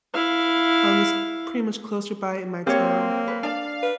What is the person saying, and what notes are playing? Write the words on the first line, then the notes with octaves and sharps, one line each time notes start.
Um, it's pretty much closer by in my town.
E4 F5
A#3 C4 G4 C#5
B4
D4 D5 F5
B4